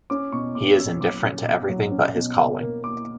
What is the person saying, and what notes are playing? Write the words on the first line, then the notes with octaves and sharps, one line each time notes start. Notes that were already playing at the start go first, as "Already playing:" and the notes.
He is indifferent to everything but his calling.
C#4 D6
B2 C#6
B2 D6
C#4 E6
F#3 D6
C#4
B2
F#3
C#4
B2
A#3
A#3
A#3 D6